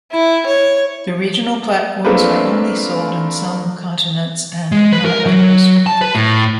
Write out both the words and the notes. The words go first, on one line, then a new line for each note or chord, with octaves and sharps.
The regional platforms are only sold in some continents and not others.
E4
C#5
A3 A#3 C4 D4 F4 B4
G#3
B4
A#4
F#3
A5
B4
A2